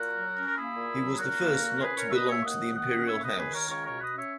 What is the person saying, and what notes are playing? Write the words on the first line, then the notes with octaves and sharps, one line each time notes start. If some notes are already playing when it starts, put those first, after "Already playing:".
He was the first not to belong to the Imperial house.
Already playing: A#2 F#4 A#4
F#3
C#4
A#4
A#3 E4 G#4
A#2
F#3
A#2 F#4 A#4
A#3
A#2
C#4 G#4 B4
A#4 C#5
A#2
E5
B4 D#5
A#3
C#5 E5
D#2 D#5 F#5
D#3
D#5 F#5
C#4
A#3 C#5 E5
D#2 B4 D#5
G#4 B4
D#3
A#4 C#5
C#2 A#4 C#5
B2 A#4 C#5
B4 D#5
C#4
C#5 E5